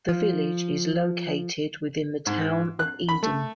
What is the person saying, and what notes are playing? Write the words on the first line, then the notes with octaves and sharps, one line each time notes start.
The village is located within the Town of Eden.
F3
G#2
F#6
B5
A3